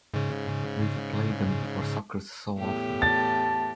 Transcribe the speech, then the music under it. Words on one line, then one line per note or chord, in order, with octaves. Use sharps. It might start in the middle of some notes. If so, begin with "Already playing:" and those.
We've played 'em for suckers so often.
G#2 C#3
E2 A2 G4
A5 A6